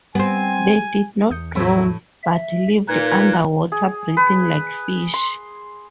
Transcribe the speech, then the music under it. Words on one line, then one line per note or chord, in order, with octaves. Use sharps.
They did not drown, but lived underwater breathing like fish.
G3 B3 C4 G#5
E2 D#6 G6 C#7
F2 A2 F3 F#3 E4 G6
E5
A#2 D#4 B4 G#6
G#4
B4
C6